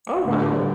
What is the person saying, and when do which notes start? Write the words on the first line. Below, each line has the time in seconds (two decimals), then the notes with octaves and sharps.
Oh, wow.
0.25 A2 D3
0.55 G3